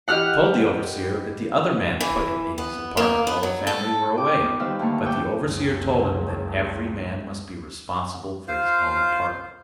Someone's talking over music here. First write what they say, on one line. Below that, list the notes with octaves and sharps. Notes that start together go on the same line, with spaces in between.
He told the overseer that the other man put it in his apartment while the family were away, but the overseer told him that every man must be responsible for his own apartment.
E3 G4 D#5 F#5 F6 F#6
E3
B3
A#3
B3
F#3
A4
G5 D6
B3 D#4 F4
D#3 G3 B4 C5 E5 F5
D2 A#3 A5 C#6
E5 G5 A5 C#6 D6 E6
F#1 C#2
F4 C5 F5